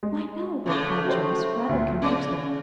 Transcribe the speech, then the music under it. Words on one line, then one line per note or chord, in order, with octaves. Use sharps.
"Why, no!" replied Joyce, rather confusedly.
G#3
A2 C#3 A3 C#4
F#4 G4 C5
D2 A#2
C#3 C#4 D4